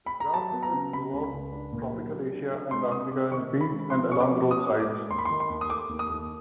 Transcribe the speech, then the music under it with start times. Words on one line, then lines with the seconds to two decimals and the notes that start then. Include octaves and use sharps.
The grass occurs throughout tropical Asia and Africa in fields and along roadsides.
0.06 B5
0.20 A#5
0.34 F#3 A5
0.53 B3
0.63 A#5
0.73 C#3
0.93 C#3 B5
1.13 C#2
1.32 C#2
1.53 D4
1.72 A#2
1.92 F#3
2.13 F#3
2.32 D4
2.52 D4
2.71 G#3 C6
2.91 C3 D#6
3.11 C3 D6
3.31 D#3 C#6
3.51 C3
3.61 B5
3.71 G#3
3.90 F3 C6
4.11 C#4 C#6
4.20 D6
4.31 F3
4.51 C#4 D#6
4.71 A2
4.80 D6
4.89 G#3
5.10 D#2 C6
5.18 B5
5.25 D#3 C6
5.40 C6
5.50 D#2
5.61 D#6
5.69 A3 D6
5.89 D#2
5.99 D#6
6.09 D#2